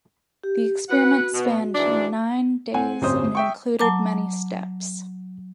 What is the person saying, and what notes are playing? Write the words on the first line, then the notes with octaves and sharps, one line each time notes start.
The experiment spanned nine days, and included many steps.
G4
F#4 B4 F#5
B2
G#2 E3 D4
C4 F#5 G#5
D1 G1 C4 C#4 C5 D#6
E5 G5 C#6
F#3 A5 A#5 D6